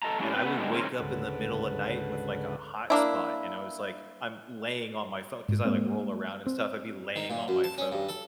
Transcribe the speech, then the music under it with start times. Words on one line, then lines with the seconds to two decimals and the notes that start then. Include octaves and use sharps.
And I would wake up in the middle of night with, like, a hot spot, and I was, like, I'm laying on my phone, 'cause I, like, roll around and stuff, I'd be laying on my phone.
0.02 A4 D#5 A5 A#5
0.19 F#3 G#3 C#4 D4 E4 G4
0.34 C4 B4
0.45 A3 B3
0.58 D3 G3 G#3 B3 D4 D#4
0.72 D#3 G#3 C4 C#4
1.00 D2 G#2 C#3 A4 B4 F#5
2.90 A#3 D4 E4
5.48 G#2
5.65 G#3 A#3 C4
6.46 C4
7.16 D#3
7.30 A#2
7.48 F#2
7.64 A5
7.78 C#4
7.92 G2
8.09 A4